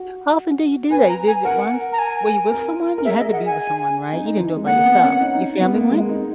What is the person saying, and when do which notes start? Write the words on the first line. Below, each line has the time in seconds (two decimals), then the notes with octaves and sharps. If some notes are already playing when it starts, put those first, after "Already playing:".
How often do you do that? You did it once. Were you with someone? You had to be with someone, right? You didn't do it by yourself. Your family went?
Already playing: F#4
0.90 B4 G#5
1.09 A#5
1.27 G#5
1.45 A#4 F#5
1.93 A#5
1.99 G#5
2.52 A#4
2.98 A#4
3.05 G#4 E5
3.19 D#5
3.32 F#5
3.46 G#5
4.13 D#4
4.26 D#4
4.40 E3
4.57 G#3
4.66 A#3 F#5
4.84 B3
5.02 C#4
5.20 D#4
5.33 D#4
5.60 B3
5.74 A#3
5.91 G#3
6.09 D#4